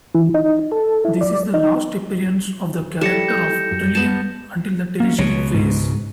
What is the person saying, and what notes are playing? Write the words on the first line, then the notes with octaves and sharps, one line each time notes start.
This is the last appearance of the character of Trillian until the Tertiary Phase.
E3
D#4
A4
E4
D5
D#4
G3 E4 A4 A#6 C#7 E7
G6
F#2 F#3
B3 A5
A#3 C#4
C#2 B2 C#5
G#2